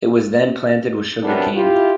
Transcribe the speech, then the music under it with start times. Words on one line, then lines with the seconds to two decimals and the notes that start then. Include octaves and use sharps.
It was then planted with sugarcane.
1.23 F#2 C3 F#3 B3 D4
1.54 E4 F4 G4